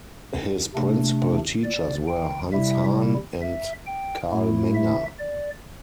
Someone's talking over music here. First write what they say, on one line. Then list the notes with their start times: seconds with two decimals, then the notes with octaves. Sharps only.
His principal teachers were Hans Hahn and Karl Menger.
0.74 C3 A3 D4
1.64 D5
2.08 G5
2.52 C3 G3 E4 E5
3.41 E5
3.86 G5
4.30 A2 A3 E4
4.74 E5
5.19 D5